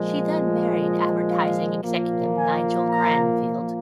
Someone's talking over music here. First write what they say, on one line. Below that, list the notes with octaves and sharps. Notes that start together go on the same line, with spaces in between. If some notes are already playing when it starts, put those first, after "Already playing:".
She then married advertising executive Nigel Grandfield.
Already playing: A#2 F3 G#3
D#5
F5
A#2 F3 A#3
G#5
A#5